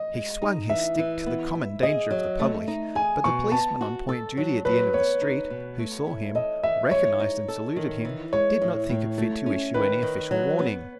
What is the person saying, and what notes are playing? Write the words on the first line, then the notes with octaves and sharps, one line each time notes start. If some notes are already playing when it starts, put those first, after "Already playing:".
He swung his stick to the common danger of the public, but the policeman on point duty at the end of the street, who saw him, recognized and saluted him, did not think it fit to issue any official warning.
Already playing: D#5
G#3
D#4
E3 E5
E3
B3
E4
G#4 D#5
F#3
A3
D#4
G#4 G#5
B2 C#6
B3 A5
F#4
A4
F#3
F#3 B4
B3 C#5
D#4
B2
A3
E4
A4 D#5
E3 E5
G#3 C#5
D#4
A4
D#3
E3
G#3 C#5
A2
A2
A3
C#4
D#3 B4
D#3
F#3
B3